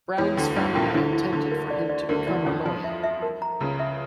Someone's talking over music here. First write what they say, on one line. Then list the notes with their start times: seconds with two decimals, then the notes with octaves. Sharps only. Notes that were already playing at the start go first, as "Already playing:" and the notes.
Brown's family intended for him to become a lawyer.
0.18 E2 E3 C#5
0.37 D2 D3 G5
0.56 G1 G2 C#4
0.75 A#1 A#2 G5
0.94 D2 D3 E4
1.13 E4
1.32 D2 D3 E4
1.51 A#4
1.70 D5
1.90 D5
2.09 D2 D3 A#4
2.27 E2 E3 D5
2.46 F2 F3 C#4
2.65 F2 F3 F4
2.84 E5
3.04 E5
3.22 A#4
3.42 A#5
3.60 C#2 C#3 A#5
3.80 E5